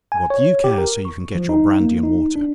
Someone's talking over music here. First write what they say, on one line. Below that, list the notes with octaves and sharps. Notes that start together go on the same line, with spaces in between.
But what do you care so you can get your brandy-and-water?
G#5
C#5
G4
A#4
C#6
F3
D#4
A#3
D#4
D4